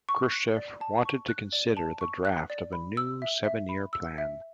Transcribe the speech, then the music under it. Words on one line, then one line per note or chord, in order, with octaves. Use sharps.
Khrushchev wanted to consider the draft of a new Seven-Year plan.
C#6
F#6
D5
A5
C#6
F#6
D5
A5
C#6
F#6
D5
B5
E6
E5
E5
B5
E6
E5